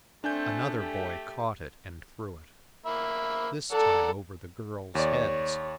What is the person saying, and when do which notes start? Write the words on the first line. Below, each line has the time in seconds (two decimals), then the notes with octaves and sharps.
Another boy caught it and threw it, this time over the girls' heads.
0.24 A3 C4 D4 G#5 G6
0.78 A3 G4
2.86 A#3 E5 B5
3.72 A4 D5 F#5 A#5
4.95 D#2 C#5 D5